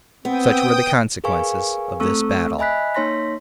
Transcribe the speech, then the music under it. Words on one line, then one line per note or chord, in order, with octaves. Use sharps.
Such were the consequences of this battle.
B3 C4 G5 D#6
G#4 A#4 B4 F5 G#5 C#6
A3 C4 A4 C#6 E6
D#5 E5 G#5 B5 F#6 B6
A#3 D#4 C#5 C6 A#6 B6